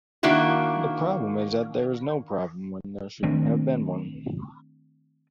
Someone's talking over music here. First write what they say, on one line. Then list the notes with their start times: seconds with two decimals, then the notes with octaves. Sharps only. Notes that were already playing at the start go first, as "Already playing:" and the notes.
The problem is that there is no problem when there should have been one.
0.23 D#3 A#3 D4 E4 F#4
3.23 D#3 A3 C4 D4